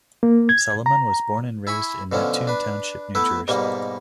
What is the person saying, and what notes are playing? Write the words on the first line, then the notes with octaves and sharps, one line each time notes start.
Salomon was born and raised in Neptune Township, New Jersey.
A#3
G#6
A#5
E4 G#5 B5 C#6
B2 D3 F3 C#4
D4 B4
A3 B3 E4 A4 B4
G#2 B2 G3 A#3